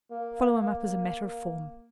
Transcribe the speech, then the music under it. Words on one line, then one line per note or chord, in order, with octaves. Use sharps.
Follow him up as a matter of form.
A#3
A#3